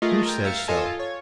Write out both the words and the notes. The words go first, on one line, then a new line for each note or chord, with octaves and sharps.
"Who says so?"
A3 F4 G#4 A#4 D#5
A#4 G5
E5 F5 A#5 A6 C#7
F4 A4 D#5 G#5 A5
F4
C#5